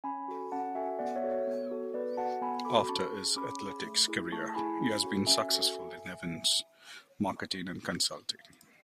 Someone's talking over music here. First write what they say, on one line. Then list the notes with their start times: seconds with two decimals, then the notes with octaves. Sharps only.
After his athletics career, he has been successful in events marketing and consulting.
0.04 C#4 G#5 B5
0.28 F#4 A4
0.52 C#4 F#5 A5
0.75 F#4 A4 E5 G#5
0.99 B3 D5 F#5
1.16 C#5 E5
1.23 F#4 A4
1.32 C#5
1.47 B3
1.71 F#4 A4
1.94 B3 B4 D5
2.17 F#4 A4 F#5 A5
2.41 B3 G#5 B5
2.65 F#4 A4 B5 D6
2.89 C#4 A5 C#6
3.13 G#4
3.36 C#4 B5 D6
3.61 G#4
3.84 A3
4.08 E4 G#4
4.32 A3 A5 C#6
4.49 A5
4.55 E4 G#4 G#5 B5
4.80 C#4
5.03 F#4 A4
5.27 C#4 E5 G#5
5.50 F#4 A4